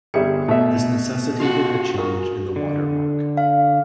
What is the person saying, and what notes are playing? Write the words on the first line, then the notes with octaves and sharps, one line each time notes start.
This necessitated a change in the watermark.
G1 G3 G#4 E5 C#7
B2 A3 E5
F4 F#4 F#5
G#4 A#4 C#6
D3
F5